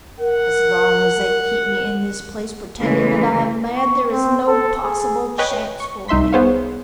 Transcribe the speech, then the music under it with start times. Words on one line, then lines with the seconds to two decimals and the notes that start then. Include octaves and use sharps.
"As long as they keep me in this place pretending that I am mad, there is no possible chance for me."
0.19 A#4 F#5
2.80 C#3 E3 G#3 A3
3.76 C#6
4.11 C4
4.47 A4
4.83 G#4
5.38 B4 C#5 D#5 G5 G#5
5.80 C#6
6.08 C2 D#4 E5 C6 B6
6.33 B3 G#4 C5 C#5 F5